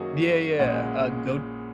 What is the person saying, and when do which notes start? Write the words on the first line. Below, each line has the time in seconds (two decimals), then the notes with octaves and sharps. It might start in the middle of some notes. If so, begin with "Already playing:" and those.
Yeah, yeah. Uh, Goyte,
Already playing: F#2 D#3 F#3 A#3 C#4 F#4 G#4
0.59 A#1 A#2 G#3 C#4 F#5